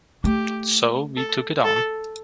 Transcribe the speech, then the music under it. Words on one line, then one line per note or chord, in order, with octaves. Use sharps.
So we took it on.
A3 G4
A4
A4